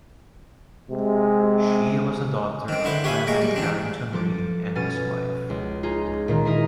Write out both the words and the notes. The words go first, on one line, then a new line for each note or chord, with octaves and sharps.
She was the daughter of Clement Carrington Read and his wife.
C3 G#3
D#3 C4
D3 E4 B4 C5
G4 C#5 E5 F5 G#5 B5
G#3 A#3 A#5 C#6
G3
E3 C4 D4
F3 A4 D6
B2 C#4 F6 A6 D#7
C#2
D#4 F4 G#4
A#2 D#3 A#3
E4 G#4 A#4 D#5